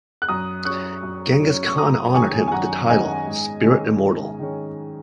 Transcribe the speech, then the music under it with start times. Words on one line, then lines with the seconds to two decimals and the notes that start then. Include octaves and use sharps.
Genghis Khan honoured him with the title Spirit Immortal.
0.22 F#6
0.29 F#2 A#5 D#6
0.65 F#3 C#4 C#6 F#6
1.03 F#2
1.40 F#3 C#4
1.67 C#6
1.78 F#2 A#5 D#6
2.14 D#3 G#3 C#4 G#5 C#6
2.48 G#5
2.52 F#2 F#5 A#5
2.90 D#3 G#3 C#4 D#5 G#5
3.27 G#2
3.64 D#3 G#3 C#4
4.02 G#2
4.39 D#3 G#3 C#4